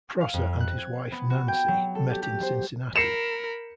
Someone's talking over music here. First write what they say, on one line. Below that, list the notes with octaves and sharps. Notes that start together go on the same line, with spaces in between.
Prosser and his wife Nancy met in Cincinnati.
F5
F2
F#6
G#6
B3
F#4
G5
F#3
A4
G4
G4
C5
A#4 B5 C7 C#7 E7